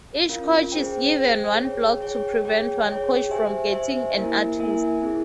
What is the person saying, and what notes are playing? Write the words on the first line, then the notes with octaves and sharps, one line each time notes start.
Each coach is given one block to prevent one coach from getting an artist.
C#4 F4 A#4 F5
G#4 C5 G5
G#4 C5 G5
G#4 C#5 G5
G#4 C#5 G5
G#4 C#5 G5
G#4 C#5 G5
G4 C5 E5 G#5
G4 C5 E5 G#5
A#3 E4 A#4 E5 G#5
A#3 E4 A#4 E5 G#5
C4 E4 G#4